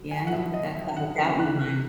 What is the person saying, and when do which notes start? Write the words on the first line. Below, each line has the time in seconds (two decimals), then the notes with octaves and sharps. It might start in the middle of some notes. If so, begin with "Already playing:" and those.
yeah, you put that cloud of doubt in your mind.
Already playing: B2 F#3
0.11 G#5
0.27 F#5
0.32 B2 E5
0.35 F#3
0.54 D#5
0.75 E5
0.96 F#5
1.17 C#3 E3 G#5
1.40 F#6
1.60 F#6